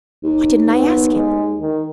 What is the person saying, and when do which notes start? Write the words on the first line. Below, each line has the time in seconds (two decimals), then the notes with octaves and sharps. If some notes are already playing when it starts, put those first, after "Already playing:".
Why didn't I ask him!
0.23 D#2
0.69 B3
1.14 G#3
1.61 D#3